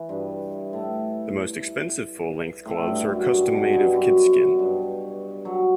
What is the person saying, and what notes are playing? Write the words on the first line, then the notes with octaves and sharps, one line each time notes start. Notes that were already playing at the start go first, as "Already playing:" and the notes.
The most expensive full-length gloves are custom-made of kidskin.
Already playing: E3
G2
A2
A2
G2
F#2
G2
B2
G2
F#2
G2
F#3